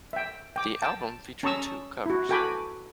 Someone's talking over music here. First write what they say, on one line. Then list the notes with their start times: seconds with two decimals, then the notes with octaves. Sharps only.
The album featured two covers.
0.13 E5 G5
0.56 G5 D6
0.82 G5 A5
1.43 C#4 A5 A#5 C#6 D#6 E6
2.06 E4 F#4
2.29 F#4 A4 G5 G#5 B5 D6